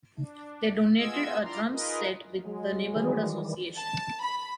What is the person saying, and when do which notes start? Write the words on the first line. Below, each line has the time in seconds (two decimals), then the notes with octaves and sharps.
They donated a drums set with the neighborhood association.
0.17 D4
0.98 B3 F4 G#4 D#5 E6 G#6
1.43 D4 E4 F4 D5 A#5 C6
1.72 D#4 F4 G#4 A#4 B4 D#5
2.44 F#3 G#3
2.96 D#3 E3 G3
3.76 A5
4.21 B5